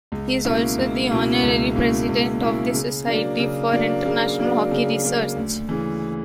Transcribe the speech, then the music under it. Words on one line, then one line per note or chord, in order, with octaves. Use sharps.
He is also the Honorary President of the Society for International Hockey Research.
C#2
B2 A#3 C#4 E4
C#2
B2 A#3 C#4 E4
C#2
B2 A#3 C#4 E4
C#2
B2 A#3 C#4 E4
C#3
F#3 A#3 D4
C#3
F#3 A#3 D4
C#3
F#3 A#3 D4
C#3
F#3 A#3 D4
D2
C#3 E3